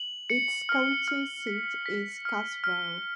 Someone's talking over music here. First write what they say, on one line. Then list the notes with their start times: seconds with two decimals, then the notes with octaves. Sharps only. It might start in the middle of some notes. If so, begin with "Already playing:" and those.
Its county seat is Cassville.
Already playing: F#7
0.30 C#7
0.69 F6
1.08 F6
1.47 B6
1.86 B6
2.25 F6
2.64 F6